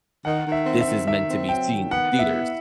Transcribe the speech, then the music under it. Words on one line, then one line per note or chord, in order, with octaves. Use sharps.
"This is meant to be seen in theaters."
D#3 F#5
D#3
E5
C4
E5
D#3
D#3 E5
C4
F#3 G5
D#3
B3 F#5
B3
E5
E4